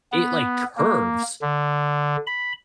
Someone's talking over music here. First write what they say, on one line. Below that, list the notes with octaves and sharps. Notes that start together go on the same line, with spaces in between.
it, like, curves
B3
A#3
D3
B5